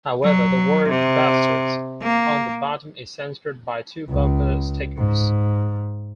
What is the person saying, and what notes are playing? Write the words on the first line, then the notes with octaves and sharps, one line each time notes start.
However, the word 'Bastards' on the bottom is censored by two bumper stickers.
F#3
C3
A#3
C#2
G#2